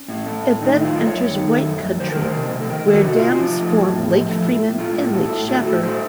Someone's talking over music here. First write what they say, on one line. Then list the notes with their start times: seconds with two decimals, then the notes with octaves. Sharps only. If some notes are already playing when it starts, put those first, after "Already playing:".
It then enters White County, where dams form Lake Freeman and Lake Shafer.
Already playing: C#4
0.08 A2
0.26 A3
0.43 A2
0.61 D#3 D#4
0.78 A3
0.84 F4
0.95 F#2
1.07 C#5
1.13 F#2
1.31 D#3
1.48 A3
1.65 F#2
1.83 F#2
2.00 D#3 C5
2.12 A3 A#4
2.24 C5
2.35 C3
2.53 C3
2.60 A4
2.70 D#3 A#4
2.87 A3
2.93 F#4
3.05 C3
3.16 F4
3.23 C3
3.40 F3
3.57 A3
3.74 A2
3.92 A2
4.09 F3
4.27 A3
4.44 A2
4.62 A2
4.78 A3 F4
4.96 A2
5.14 A3 F#4
5.26 A4
5.31 A2
5.48 A3 F#4
5.66 A2 A4
5.83 A3 C5